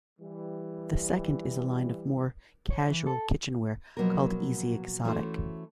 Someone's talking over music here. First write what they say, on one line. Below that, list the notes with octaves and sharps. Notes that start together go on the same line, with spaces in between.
The second is a line of more casual kitchenware called Easy Exotic.
E3 G3
C#5
E3
A4
B2 F3 F#3 A#3 B3 A#4
E3 A3 C#4 F#4 C5